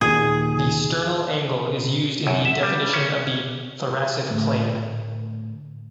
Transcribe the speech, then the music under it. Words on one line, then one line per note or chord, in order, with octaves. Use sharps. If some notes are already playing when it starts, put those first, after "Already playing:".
The sternal angle is used in the definition of the thoracic plane.
D#2 A#2 D#3 G#4
F#2
E5
G3
C#4
A2 D3 A3